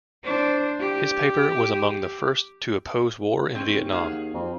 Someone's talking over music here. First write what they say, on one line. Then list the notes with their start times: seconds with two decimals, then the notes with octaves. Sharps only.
His paper was among the first to oppose war in Vietnam.
0.24 D4 C5
0.79 G4
3.55 C4 C#4
3.71 D#2
3.92 G#4 F5 F#5
4.33 F2